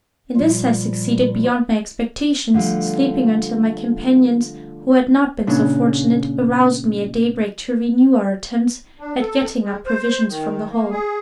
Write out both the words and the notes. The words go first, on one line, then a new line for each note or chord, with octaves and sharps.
In this I succeeded beyond my expectations, sleeping until my companions, who had not been so fortunate, aroused me at daybreak to renew our attempts at getting up provisions from the hull.
A#2 F3 G3 F4
D3 F3 G3 A3
A#2 C#3 D4
D4
A4
G#3
C5
D#3
A#3
G#4